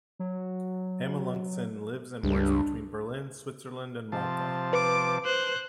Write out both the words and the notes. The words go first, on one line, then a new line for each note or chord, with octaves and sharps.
Amelunxen lives and works between Berlin, Switzerland and Malta.
F#3
C#2 G2 D4
C3 F3 A5
B4 D6
C5 F#6